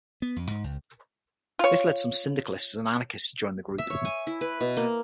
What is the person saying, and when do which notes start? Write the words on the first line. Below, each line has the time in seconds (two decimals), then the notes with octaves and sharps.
This led some syndicalists and anarchists to join the group.
0.22 B3
0.36 F2
0.51 G#2
0.64 C#2
1.59 F4 C#5
3.78 E5
3.90 C#5
4.05 G#5
4.27 E4
4.41 B4
4.60 B2
4.77 A#3